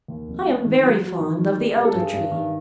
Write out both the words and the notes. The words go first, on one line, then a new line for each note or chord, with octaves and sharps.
I am very fond of the Elder-tree.
D#2
F1
A3
D#3
F#3
F#3
D#3
D#3
G3
G3 A#4
A4
G2
G#4
G2
D#3